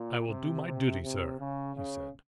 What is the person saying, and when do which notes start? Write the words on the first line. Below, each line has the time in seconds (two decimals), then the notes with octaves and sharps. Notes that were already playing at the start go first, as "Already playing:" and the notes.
"I will do my duty, sir," he said.
Already playing: A#2
0.28 C3
0.65 C3
1.03 C3
1.40 C#3
1.76 C#3